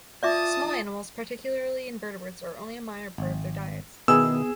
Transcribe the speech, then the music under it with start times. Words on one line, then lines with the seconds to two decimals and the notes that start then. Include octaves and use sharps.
Small animals, particularly invertebrates, are only a minor part of their diets.
0.23 F4 D5 E5 A5 D6 D#6
3.18 G#1
4.08 B2 D#3 B3 E4 G#4 E6